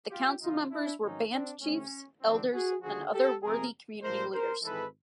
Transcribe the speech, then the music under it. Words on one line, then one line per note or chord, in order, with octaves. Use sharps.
The council members were band chiefs, elders, and other worthy community leaders.
F4 G4
E2 C#3 E3 A3 C4 D#4 F4
D4 E4
G#2 D#3 F#3 A3 C4 C#4 D#4
C4 D4
D2 C3 E3 A3 C4 C#4
F2 C3 D#3 F#3 C4 D4
F#4 G#4
D#2 D3 F3 G#3 F#4 G#4
G4 A4
F2 C3 F3 G#3 C4 G#4 A#4
A#1 A#2 F3 G#3 A#4 C5
A#4 C5
G#1 G#2 E3 G#3 A4 B4